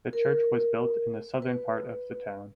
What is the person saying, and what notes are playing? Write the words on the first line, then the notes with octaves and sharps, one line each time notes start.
The church was built in the southern part of the town.
A#4
B4